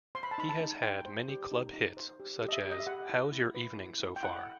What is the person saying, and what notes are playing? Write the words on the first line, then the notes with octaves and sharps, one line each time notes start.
He has had many club hits such as How's Your Evening So Far?
C5 C6
B5
A5
D#4 B5
A5
D#4
D#4 G5
C5
G4
D#4
D#4
C5
G4
G4
D#5
E5
G4
D#5
E5
G4 F#5
E4
E4
B4
E4
E4
G5
E4 F#5